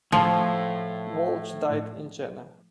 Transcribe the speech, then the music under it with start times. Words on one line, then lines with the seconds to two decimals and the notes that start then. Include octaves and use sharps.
Walch died in Jena.
0.12 A2 F3